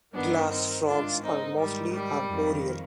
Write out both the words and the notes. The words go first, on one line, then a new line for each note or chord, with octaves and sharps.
Glass frogs are mostly arboreal.
G2 D#3 B3 D4
C4 D#4
G#2 D#3 D4 F4
C4 D#4
G#2 D#3 G3
G3
F2 D#3